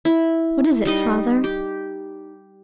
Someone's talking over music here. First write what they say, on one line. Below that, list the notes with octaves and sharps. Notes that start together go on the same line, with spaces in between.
"What is it, father?"
E4
G3 D#4 D#5
G4